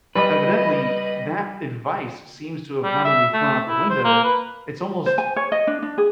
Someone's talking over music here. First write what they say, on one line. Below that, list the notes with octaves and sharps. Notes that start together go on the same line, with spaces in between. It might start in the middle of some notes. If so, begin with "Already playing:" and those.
Evidently, that advice seems to have not only flown out the window, it's almost
G3 B4 D#5
G3
E5
A3
E4
C5
A#3
B4
C5
G#5
C#5
D#5
D4
D4
G#4